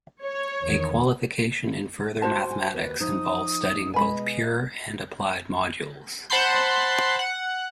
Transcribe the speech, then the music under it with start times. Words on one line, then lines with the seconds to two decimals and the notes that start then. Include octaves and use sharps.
A qualification in Further Mathematics involves studying both pure and applied modules.
0.23 C#5
0.62 E2 D#3
2.22 F#4 C5 A5 C6
2.51 G#5
2.74 D#2 B4
3.00 F3 D#4 D#6
3.94 B2 G#3 D#5 G#5 B5
6.30 C5 F#5 A5 B5 C6 G6
7.19 F#5